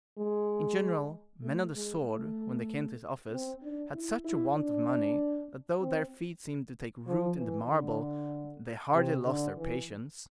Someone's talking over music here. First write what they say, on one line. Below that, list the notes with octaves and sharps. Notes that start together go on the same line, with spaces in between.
In general, men of the sword, when they came to his office, had such a want of money, that though their feet seemed to take root in the marble, they hardly lost their patience.
G#3
A3
G#3
A3
C4
D4
E4
E4
D4
C4
F3
E3
D3
C3
D3
E3